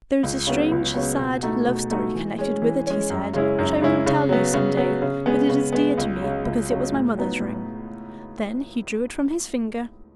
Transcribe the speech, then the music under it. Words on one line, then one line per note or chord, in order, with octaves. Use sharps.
"There is a strange, sad love-story connected with it," he said, "which I will tell you some day; but it is dear to me, because it was my mother's ring." Then he drew it from his finger.
C#2
C#3 F#3 B3
C#2
C#3 F#3 B3
B2
A3 D#4 F#4
B2
A3 D#4 F#4
E3
G#3 C#4
E3
G#3 C#4
F#2
C#3 G#3 C#4 E4
F#2
C#3 G#3 C#4 E4
C#3
F#3 B3
C#3
F#3 B3
C#3
G#3 B3
C#3
G#3 B3
C#2
C#3 F#3
C#2
C#3 F#3
A2
F#3 B3 D#4
A2